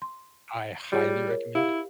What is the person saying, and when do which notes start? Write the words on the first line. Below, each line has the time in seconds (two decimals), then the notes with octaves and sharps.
I highly recommend it
0.02 C6
0.92 G3 F4 G#4 C#5
1.27 A#4 C#5
1.55 E4 G4 F5